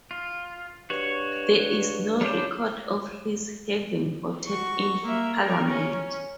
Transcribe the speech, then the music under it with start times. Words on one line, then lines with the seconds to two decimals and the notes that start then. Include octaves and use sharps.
There is no record of his having voted in Parliament.
0.11 F4
0.90 G2 F#4 C#5
2.21 C#3 G3 D4 C5
4.47 F#4 C#6
5.04 A#3 E5
5.39 G3 A#4
5.68 C#4